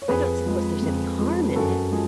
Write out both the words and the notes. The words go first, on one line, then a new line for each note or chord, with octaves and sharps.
"I don't suppose there's any harm in it."
C#5
F2 G#4 B4
F3 G#3
F2
F3 G#3
B4
F#2 F#4 A4
F3 G#3 G#4